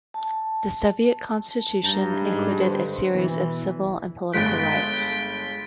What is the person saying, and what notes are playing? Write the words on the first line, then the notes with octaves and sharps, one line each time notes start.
The Soviet Constitution included a series of civil and political rights.
A5
G2 A5 A#5 G6
G#2 G#3
D3 B4 C5
B2 E3
G1 G#3 G5 F#6 A6 B6